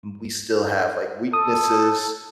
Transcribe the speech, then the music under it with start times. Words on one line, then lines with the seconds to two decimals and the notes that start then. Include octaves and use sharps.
we still have, like, weaknesses
1.33 A4 D#6